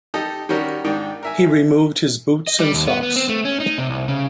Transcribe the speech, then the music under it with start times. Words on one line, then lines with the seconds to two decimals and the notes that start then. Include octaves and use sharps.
He removed his boots and socks.
0.14 D#4 G4 A4 D#5
0.49 D#3 G3 C#4 F#4 G4 A#4
0.84 G#2 D#3 D4 D#4 G5
1.23 A#4 E5 G#5
2.47 D#5
2.59 G3
2.74 D#2
2.87 B3
3.03 B3
3.16 C4
3.29 A3
3.45 C#4
3.60 D#4
3.78 C3
3.90 C2
4.08 C#3